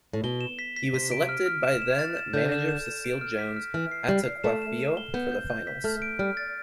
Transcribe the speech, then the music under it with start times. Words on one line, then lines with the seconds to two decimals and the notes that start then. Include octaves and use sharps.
He was selected by then manager Cecil Jones Attuquayefio for the finals.
0.13 A2
0.24 B2 G7
0.41 E7
0.59 B6
0.76 B6
0.93 C3 B6
1.12 D7
1.29 F6
1.46 F6
1.63 E7
1.82 E7
1.99 A6
2.16 E7
2.33 D3 G6
2.52 E7
2.69 E7
2.86 E7
3.05 D7
3.21 F6
3.39 B6
3.56 F6
3.74 E3 F6
3.91 C7
4.09 G3 C7
4.26 C7
4.44 A3 E7
4.62 E7
4.80 E7
4.97 G7
5.14 B3 G6
5.32 G6
5.50 G6
5.67 B6
5.84 A3 F6
6.02 D7
6.19 G3 F6
6.37 A6